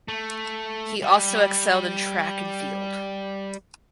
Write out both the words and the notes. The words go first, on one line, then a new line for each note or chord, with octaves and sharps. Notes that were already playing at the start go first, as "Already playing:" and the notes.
He also excelled in track and field.
A3
G3